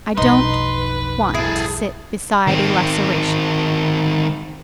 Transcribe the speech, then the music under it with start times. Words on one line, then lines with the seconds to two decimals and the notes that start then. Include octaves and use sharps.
I don't want to sit beside a 'laceration.'...
0.17 B1 F2 D#4 B4 C6
1.35 E4 G#4 A4
2.47 D#3 C4